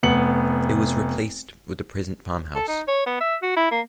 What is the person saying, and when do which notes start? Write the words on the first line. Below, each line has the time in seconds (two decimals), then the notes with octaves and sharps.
It was replaced with the present farmhouse.
0.03 F1 B3 C#7 F#7
2.55 A4
2.68 D#4
2.88 C#5
3.06 B3
3.21 E5
3.42 F#4
3.56 E4
3.71 A#3